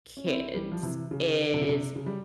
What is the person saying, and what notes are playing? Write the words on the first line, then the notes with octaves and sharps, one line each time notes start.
Kids is
C#4
C4 E4
E3 G3
F3
C3 E3
C#3
C3
C#3
C3
C#3
G3